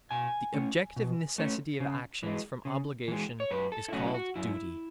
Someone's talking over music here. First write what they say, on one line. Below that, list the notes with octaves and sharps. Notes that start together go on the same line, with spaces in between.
The objective necessity of actions from obligation is called duty.
B2 G#5
A3 C#4
B2
A3 C#4
C#3
E3 G#3
C#3
E3 G#3
C#5
F#2 B4
A4
E4
C#3 F#3 A3 C#4 F#4
E4
F#4
F#2 E4